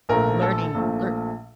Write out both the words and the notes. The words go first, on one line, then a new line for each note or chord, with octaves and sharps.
learning lear
A#1 A#2 F3 A3 A#4
A4
A#1 A#2 F3 A3